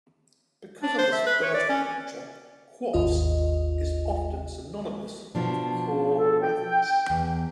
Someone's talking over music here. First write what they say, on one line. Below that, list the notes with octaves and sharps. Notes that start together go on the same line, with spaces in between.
Because of this vertical nature, "Quartz" is often synonymous with "Core Graphics".
D4
C5
E5
B4
C#5
D5
C#4
G#1 D#2 F4 D#5
B2 F3 D4
A4
G5
E2